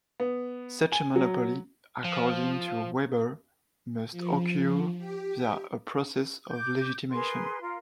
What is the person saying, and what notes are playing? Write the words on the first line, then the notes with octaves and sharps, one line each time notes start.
Such a monopoly, according to Weber, must occur via a process of legitimation.
B3
G#5
F#3
F3
F3
G4
D6 G6
G#4 A#4 B4 C6
F4 A#4